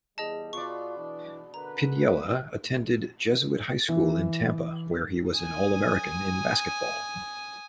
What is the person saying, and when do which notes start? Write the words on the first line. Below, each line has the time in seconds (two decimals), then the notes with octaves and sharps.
Piniella attended Jesuit High School in Tampa, where he was an All-American in basketball.
0.18 E2 G3 G#4 D#5 A5
0.53 B2 F4 D5 C#6
0.97 E3 D4
1.54 D3 A#4 B4 A#5
3.89 E3
5.34 G#5 D#6